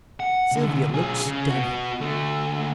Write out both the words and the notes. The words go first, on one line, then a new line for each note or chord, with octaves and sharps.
Sylvia looked stunning.
F#5
C2 D3
B1 G#4
C#3
B3 F#4
D3 A3